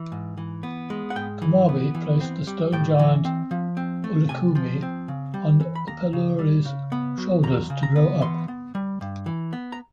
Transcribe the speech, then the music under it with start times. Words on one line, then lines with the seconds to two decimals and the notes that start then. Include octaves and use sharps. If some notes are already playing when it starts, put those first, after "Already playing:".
Kumarbi placed the stone giant Ullikummi on Upelluri's shoulders to grow up.
Already playing: E3
0.12 G#2
0.37 E3
0.63 B3
0.90 G#3
1.10 F#5
1.16 G#2 G5
1.42 E3
1.69 B3
1.95 E3
2.21 C4
2.47 G3
2.72 A2 G5
2.99 E3
3.25 C4
3.51 F3
3.77 C4
4.04 A3
4.29 C3 G#5
4.55 F3
4.82 C4
5.08 C#3
5.34 G3
5.60 E3
5.75 B5
5.87 D#2 A#5
6.13 C#3
6.39 G3
6.65 C#3
6.92 B3
7.18 F#3
7.43 E2 A#5
7.70 C#3
7.83 A#5
7.96 B3
8.21 E3 C6
8.48 B3
8.75 G3
9.01 G2
9.26 E3
9.53 B3
9.72 A#5